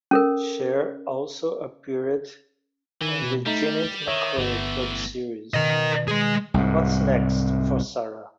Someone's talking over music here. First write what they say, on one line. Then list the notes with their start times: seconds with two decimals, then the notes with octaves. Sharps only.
Scheer also appeared on the Jennette McCurdy web series What's Next for Sarah?
0.11 C#4 A4 A#4
3.01 D#3 E3
3.22 B2
3.46 G3 A3 D#4 B6
4.07 D#3 C#5 E5
4.38 G1 E3 A3 B3
5.54 B2 D#3 A#4 D#5
6.08 G#3 G#4
6.54 C2 G#2